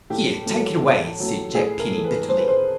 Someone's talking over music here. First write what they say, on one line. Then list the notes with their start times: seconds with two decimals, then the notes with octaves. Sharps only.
"Here, take it away!" said Jack Penny bitterly.
0.10 A2 G4
0.46 F#3 A3
0.82 A2
1.20 F#3 A3
1.55 A2 G#4
1.79 A#4
1.91 E3 A3
2.04 B4
2.28 A2 C5
2.37 B4
2.48 C5